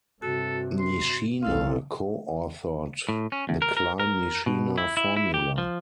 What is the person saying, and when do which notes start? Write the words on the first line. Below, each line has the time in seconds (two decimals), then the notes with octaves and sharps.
Nishina co-authored the Klein-Nishina formula.
0.22 G2 C3 F#4 A4
0.79 C6
1.43 B1 C4 E4 A4 F5
3.09 A2
3.32 C#4
3.49 E2
3.62 A#4
3.77 A#4
4.00 A#4
4.46 B2
4.78 E4
4.97 E4
5.17 E4
5.34 G4
5.58 F3